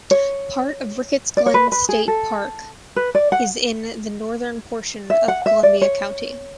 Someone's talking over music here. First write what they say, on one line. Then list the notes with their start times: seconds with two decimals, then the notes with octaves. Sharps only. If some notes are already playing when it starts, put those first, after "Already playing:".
Part of Ricketts Glen State Park is in the northern portion of Columbia County.
0.11 C#5
1.37 D5
1.46 C#5
1.54 B4
1.72 B4
1.89 G#4
2.08 A4
2.96 B4
3.15 D5
3.32 F#5
5.10 E5
5.28 F#5
5.46 E5
5.63 D5
5.81 C#5